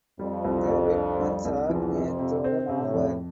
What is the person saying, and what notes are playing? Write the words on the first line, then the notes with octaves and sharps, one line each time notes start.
The wet months are May through November.
F2 G3
C2
C2
D4
G3
C2
E2 F3
C3
F2
C3
C4
C3
A2
F2